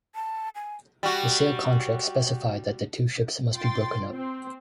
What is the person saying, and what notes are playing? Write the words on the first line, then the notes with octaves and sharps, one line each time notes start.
The sale contract specified that the two ships must be broken up.
A5
G#5
G3 F#4
F4 G5 C6 A6
C4